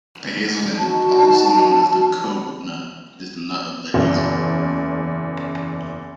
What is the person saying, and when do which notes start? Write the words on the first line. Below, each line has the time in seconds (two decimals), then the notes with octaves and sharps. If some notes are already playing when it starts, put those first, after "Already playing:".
The hazelnut, also known as the cobnut, is the nut of the hazel.
0.78 D#4 F#4 A5
3.94 F#1 E2